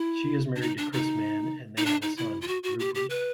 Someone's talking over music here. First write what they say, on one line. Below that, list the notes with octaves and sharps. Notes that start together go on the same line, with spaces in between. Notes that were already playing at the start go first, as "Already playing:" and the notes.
She is married to Chris Mann and they have a son, Rupert.
Already playing: E4
D4
D#4
D4
D#4
D#4
D4
D#4
E4
F4
F#4
F#4
G4
G4
B4